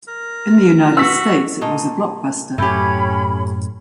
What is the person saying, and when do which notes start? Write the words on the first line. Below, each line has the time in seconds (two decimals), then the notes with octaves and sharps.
In the United States, it was a blockbuster.
0.08 A#4
0.97 F#4 E6 B6
1.61 A#2 A3 D#5
2.58 F#2 A2 A3 C#4 G4 B5